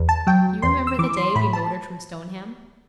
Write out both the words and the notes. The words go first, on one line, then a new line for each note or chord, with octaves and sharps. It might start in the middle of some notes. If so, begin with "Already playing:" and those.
'Do you remember the day we motored from Stoneham?
Already playing: E2
A5
F#3 G5
E2 C6
E6
E3 D6
C6
A2 B5
A5